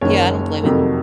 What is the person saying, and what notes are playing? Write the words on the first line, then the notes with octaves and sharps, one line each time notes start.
Yeah, I don't blame him.
F#1 F#2 D#3 A#3 C#5
F2 C3 D#3 F#3 A3